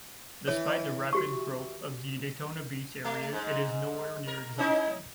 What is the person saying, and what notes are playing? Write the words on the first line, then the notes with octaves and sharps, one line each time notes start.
Despite the rapid growth of the Daytona Beach area, it is nowhere near exhausting.
E3 C#5
F#4 G4 C#6
A3
G#2
A#4
C#4 D#4 E4